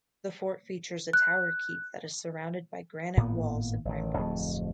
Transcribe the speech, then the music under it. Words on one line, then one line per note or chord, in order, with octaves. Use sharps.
The fort features a tower keep that is surrounded by granite walls and ramparts.
F#6
G#1 A2 A#3 B3
A1 D#3
D1 F2 A3